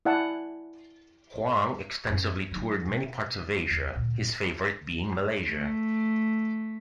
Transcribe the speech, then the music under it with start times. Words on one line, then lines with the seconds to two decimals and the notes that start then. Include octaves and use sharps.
Huang extensively toured many parts of Asia, his favourite being Malaysia.
0.05 E4 D5 F#5 G#5 A5
2.10 F#2
2.51 F#3 D#4
2.87 B2
3.71 D#2
3.95 D2 A#2
5.48 A3